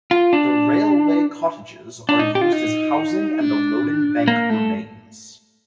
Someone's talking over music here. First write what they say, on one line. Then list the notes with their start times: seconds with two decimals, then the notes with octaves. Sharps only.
The railway cottages are used as housing and the loading Bank remains.
0.11 F4
0.33 D4
2.09 D4
2.19 D#4
2.35 G4
2.41 F4
2.53 D#4
3.41 D4
4.28 A#3
4.50 A3